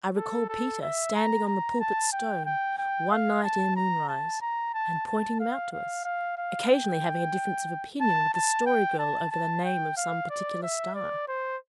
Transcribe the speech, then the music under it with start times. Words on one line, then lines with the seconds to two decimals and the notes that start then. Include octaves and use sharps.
I recall Peter standing on the Pulpit Stone, one night ere moonrise, and pointing them out to us, occasionally having a difference of opinion with the Story Girl over the name of some particular star.
0.16 A4
0.49 A4
0.82 E5
1.15 A#5
1.47 A#5
1.80 A5
2.13 G5
2.45 G5
2.78 G5
3.11 F5
3.44 A5
3.76 A#5
4.09 A5
4.42 A#5
4.74 A5
5.07 A5
5.40 F5
5.72 F5
6.05 F5
6.38 F5
6.70 G5
8.01 A5
8.34 A5
8.66 G5
8.99 A5
9.31 A5
9.65 G5
9.97 F5
10.30 D5
10.63 E5
10.95 D5
11.28 C5